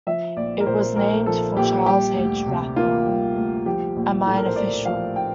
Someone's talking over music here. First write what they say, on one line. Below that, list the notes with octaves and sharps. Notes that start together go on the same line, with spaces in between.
It was named for Charles H. Rathbun, a mine official.
F3 E5
A#1 D5
A#4
A#2 C5
A#1 A#4
F3 A4
A#1 G4
G3 G4
D2
C3
A#3 F4
G3
D2
F3 G4
A#1
A2 A4
A#4
C5
A3 D5
F3 F5
G5